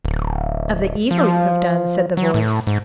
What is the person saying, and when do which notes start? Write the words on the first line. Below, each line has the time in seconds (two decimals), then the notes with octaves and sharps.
"Of the evil you have done," said the voice.
0.05 D1
1.11 F3
2.17 F#3
2.34 A2
2.67 G#2